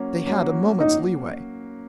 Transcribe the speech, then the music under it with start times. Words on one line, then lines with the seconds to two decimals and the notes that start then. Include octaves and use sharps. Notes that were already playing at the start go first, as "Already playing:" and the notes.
They had a moment's leeway.
Already playing: F#3 A#3 C#4 F#4
0.24 F#3 A#3 C#4 F#4
0.80 D#4